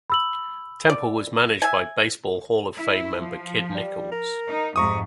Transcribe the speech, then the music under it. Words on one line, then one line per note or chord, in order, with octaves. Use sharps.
Temple was managed by Baseball Hall of Fame member Kid Nichols.
B5 E6 F#7
D5
E5 G#5
E4
F3
G3
A#4
D#4
F2 G#2 C3 A#5 C#6 D#6